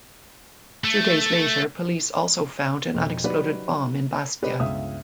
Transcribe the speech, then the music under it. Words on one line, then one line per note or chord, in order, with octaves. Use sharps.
Two days later police also found an unexploded bomb in Bastia.
A3
F2 B2
F#3 D#4 G4 B4 D5
G4 B4 C5 D5 D#5
G1 C#2 E5 F5 D#6